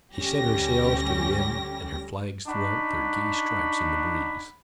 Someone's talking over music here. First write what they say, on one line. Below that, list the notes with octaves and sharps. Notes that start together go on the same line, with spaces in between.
She set her sails to the wind, and her flags threw out their gay stripes in the breeze.
D2 G3 C#4 G4 A#6
D4 D#4 F#5 B5 C#6